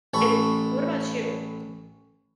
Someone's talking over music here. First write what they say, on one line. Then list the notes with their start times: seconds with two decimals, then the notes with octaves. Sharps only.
And, what about you?
0.14 A1 A4 B5 C#6